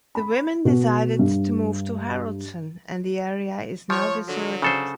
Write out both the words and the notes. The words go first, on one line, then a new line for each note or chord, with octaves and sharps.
The women decided to move to Haraldssund, and the area is now deserted.
B5
B2
G2
F3 C#5
D3 F#3
C#3 A4 C5